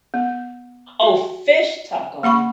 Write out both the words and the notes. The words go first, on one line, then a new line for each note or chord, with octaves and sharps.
Oh, fish taco.
B3
F#4
A#3 F#5 B5 C#6